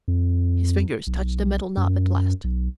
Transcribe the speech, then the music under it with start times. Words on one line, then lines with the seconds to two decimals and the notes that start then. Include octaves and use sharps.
His fingers touched the metal knob at last.
0.08 F2
1.07 B1
1.77 F#2
2.44 B1